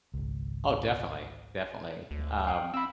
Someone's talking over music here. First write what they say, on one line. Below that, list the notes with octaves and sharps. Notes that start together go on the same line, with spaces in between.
Oh, definitely, definitely. Y um,
G#1 C#2
D2
F5 G5
C4 B5 E6